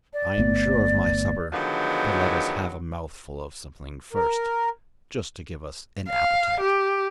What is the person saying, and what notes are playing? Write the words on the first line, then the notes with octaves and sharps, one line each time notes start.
'I am sure of my supper, but let us have a mouthful of something first, just to give us an appetite.'
D5
G1 A3 B3
D3 D#3 F3 F#3 G#3 B3
A#4
F5
G4